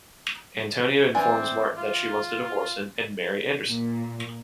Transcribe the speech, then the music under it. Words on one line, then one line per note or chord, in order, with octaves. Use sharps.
Antonia informs Martin that she wants to divorce him and marry Anderson.
E3 C4 D4 G#5
F4
A#2